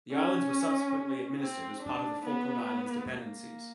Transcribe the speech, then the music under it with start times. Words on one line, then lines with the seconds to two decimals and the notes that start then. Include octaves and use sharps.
The Islands were subsequently administered as part of the Falkland Islands Dependencies.
0.11 C#4
1.40 C4
1.83 D4
2.25 B3
3.10 A#3